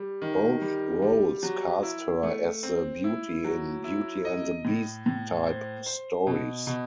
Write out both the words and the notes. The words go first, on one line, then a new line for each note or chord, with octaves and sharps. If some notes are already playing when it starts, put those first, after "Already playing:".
Both roles cast her as the beauty in "Beauty and the Beast"-type stories.
Already playing: G3
D#3
G3
G3
F#3
E4
A3
C4
E4
F#3
E4
D#5
A2
A2
C5
C5
B2
B2